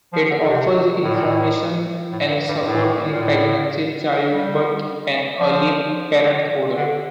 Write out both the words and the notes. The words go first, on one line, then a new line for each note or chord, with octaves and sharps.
It offers information and support in pregnancy, childbirth and early parenthood.
F3
D3
D3
C3
A2
A#2
A2
A2
G2
G2
G2
A2
A#2
A2
G3
F3
D3